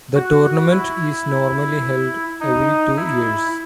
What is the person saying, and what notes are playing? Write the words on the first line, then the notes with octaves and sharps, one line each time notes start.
The tournament is normally held every two years.
F#4
E4
D#4
E4